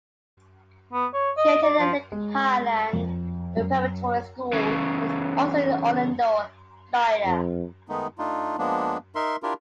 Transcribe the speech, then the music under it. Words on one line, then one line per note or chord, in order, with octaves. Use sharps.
She attended Lake Highland Preparatory School also in Orlando, Florida.
B3
C#5
D#5
D5
F3
G#3
F2
F#2
C#3 E3
F2
D#3 G#3 A3 B3 D#4
A3 D4 D#4 F4
F3 G#3 A#3 B3 D4
D#4 A#4 E5 C6
D4 E4 F4 G4 A#4